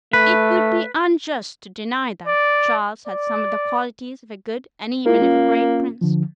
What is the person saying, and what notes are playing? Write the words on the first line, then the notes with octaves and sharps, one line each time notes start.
It would be unjust to deny that Charles had some of the qualities of a good, and even of a great prince.
A3 B4
D5
D5
A#3 E4 F4 A#4
C#4 F4
D3 F3